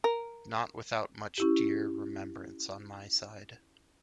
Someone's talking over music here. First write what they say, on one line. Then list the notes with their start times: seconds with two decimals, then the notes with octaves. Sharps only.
Not without much dear remembrance on my side.
0.04 A#4
1.38 C#4 E4 G4